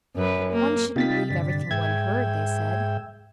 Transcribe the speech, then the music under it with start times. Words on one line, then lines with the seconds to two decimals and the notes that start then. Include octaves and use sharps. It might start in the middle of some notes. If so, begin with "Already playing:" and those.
One shouldn't believe everything one heard, they said.
0.16 F#2 B4
0.53 A#3
0.96 C3 D#4 F4 G4 A6 B6
1.31 G2 D3
1.71 G#2 E5 G5 G#6